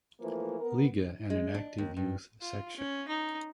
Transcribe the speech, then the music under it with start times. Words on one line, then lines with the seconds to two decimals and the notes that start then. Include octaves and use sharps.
Liga and an active youth section.
0.21 E3 F3 A3 A#3
0.60 B3 A#4
1.30 G#3
1.54 D4
1.78 D#2
1.97 G2
2.41 F4
2.76 C#4
3.08 D#4